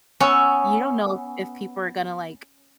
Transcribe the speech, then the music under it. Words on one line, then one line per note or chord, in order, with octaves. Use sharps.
You don't know if people are gonna, like,
B3 C#4 C#6 E6